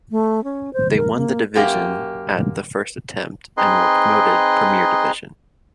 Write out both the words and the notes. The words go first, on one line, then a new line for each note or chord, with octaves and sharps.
They won the division at the first attempt and were promoted Premier Division.
A3
C#4
C5
A#4
A#3
F#2 A#3 G4
C4 D#4 G#4 B4 D#5 C6